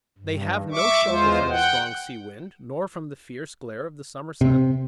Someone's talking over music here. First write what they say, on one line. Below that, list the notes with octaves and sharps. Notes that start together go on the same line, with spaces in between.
They have no shelter from the strong sea wind, nor from the fierce glare of the summer sun.
G2
E5 C#6 D6
E2 G#3 F4 C5
F#5 G5
C3